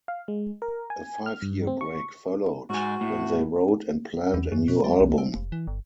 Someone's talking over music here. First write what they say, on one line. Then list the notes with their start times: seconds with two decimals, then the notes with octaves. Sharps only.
A five-year break followed, when they wrote and planned a new album.
0.08 F5
0.28 G#3
0.62 A#4
0.90 G#5
1.26 F6
1.42 G2
1.67 C4
1.81 C#6
2.70 G#2 F#4 G#5
3.01 A2
4.34 E2
4.52 F#2
4.68 B2
4.84 G3
5.00 C2
5.18 C4
5.35 F1
5.52 E3
5.67 G1